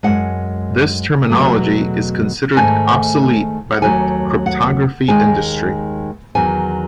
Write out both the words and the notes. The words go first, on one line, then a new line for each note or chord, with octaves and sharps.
This terminology is considered obsolete by the cryptography industry.
F#2 C#3 G#3 F#5
E2 B2 F#3 A3
G#2 D#3 A3 G#5
F#5
D#2 C#3 F#3 A3 G#5
F#5
D#2 D#3 G#3 G#5
E2 D#3 F#3 G#5